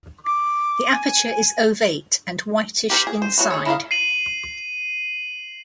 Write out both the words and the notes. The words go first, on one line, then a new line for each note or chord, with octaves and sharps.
The aperture is ovate and whitish inside.
D6
G#5
G4 A#4 C5
G#4
C5
E3 F#3 F#4
G#4 A4 C#5
E4 A#4 D#5 F5
C7 D#7 F#7